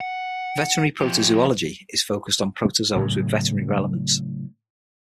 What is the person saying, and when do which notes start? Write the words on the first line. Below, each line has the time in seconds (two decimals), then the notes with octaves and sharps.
Veterinary protozoology is focused on protozoas with veterinary relevance.
0.01 F#5
1.00 F3 G4
2.96 A2 C#3 F#3